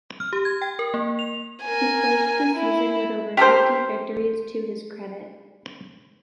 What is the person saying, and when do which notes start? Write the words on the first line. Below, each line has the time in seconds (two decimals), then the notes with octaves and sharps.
He closed the season with over fifty victories to his credit.
0.20 F6
0.33 G4
0.45 G#6
0.62 G5
0.79 A#4
0.94 A#3
1.19 F7
1.64 A#4 G#5
2.54 E4
3.37 G4 A4 A#4 C5